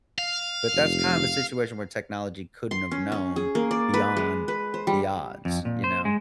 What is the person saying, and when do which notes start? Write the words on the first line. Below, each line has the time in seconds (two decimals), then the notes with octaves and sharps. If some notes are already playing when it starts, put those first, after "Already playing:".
but that's kind of a situation where technology couldn't have known beyond the odds, you know?
0.18 F5
0.74 F1
2.71 C6
2.91 C#4
3.12 C#4
3.36 G#4
3.55 A#3
3.71 D5
3.94 B4
4.17 G#3
4.48 B4
4.74 C5
4.87 G3
5.45 F2
5.65 A#2
5.84 C5
6.05 G#3